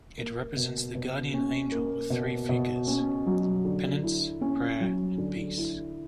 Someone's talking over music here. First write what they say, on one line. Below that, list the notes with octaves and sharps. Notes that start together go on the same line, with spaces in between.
It represents the Guardian Angel with three figures: Penance, Prayer and Peace.
A#3
B2
B2
C#4
A#3
B2
B2
C#4
F#3
D3
E4
C#4
F#3
D3
E4